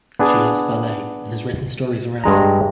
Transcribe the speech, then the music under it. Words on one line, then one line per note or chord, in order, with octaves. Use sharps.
She loves ballet, and has written stories around it.
B3 D4 G#4
G2 G#3 A#5